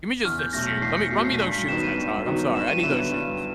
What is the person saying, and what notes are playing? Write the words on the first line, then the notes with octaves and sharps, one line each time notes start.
Give me just his shoes. Let me run me those shoes, Hedgehog. I'm sorry. I need those shoes.
E2 F6
G6
B2 F#3 A3 A#6
B6
E2 C7
C#7
B2 F#3 A3 C7
C7
G2 B6
B6
D#3 F#3 B3 D#4 E7
D#7
G2
D#3 F#3 B3 D#4
G2 E7
D#7
D3 F#3 B3 E4 E7
G2